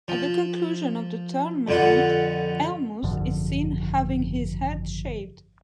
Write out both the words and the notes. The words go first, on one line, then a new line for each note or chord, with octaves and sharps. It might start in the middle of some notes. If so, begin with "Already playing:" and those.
At the conclusion of the tournament, Hellmuth is seen having his head shaved.
F3
F2 D3 F4 F#5
G#1 F#2 D3 F3